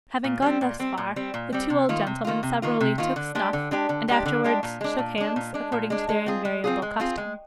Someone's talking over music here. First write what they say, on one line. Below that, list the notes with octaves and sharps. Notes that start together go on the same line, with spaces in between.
Having gone thus far, the two old gentlemen severally took snuff, and afterwards shook hands, according to their invariable custom.
A#2
G3 C4
A#2
G3 C4
A#2
G3 C4
A#2
G3 C4
C3
D#3 A#3 F4
C3
D#3 A#3 F4
C3
D#3 A#3 F4
C3
D#3 A#3 F4
D3
G#3 D4 G4
D3
G#3 D4 G4
D3
G#3 D4 G4
D3
G#3 D4 G4
A#2
G#3 D4
A#2
G#3 D4
A#2
G#3 D4
A#2
G#3 D4
G#3
C4 F4 G#4
G#3
C4 F4 G#4
G#3
C4 F4 G#4
G#3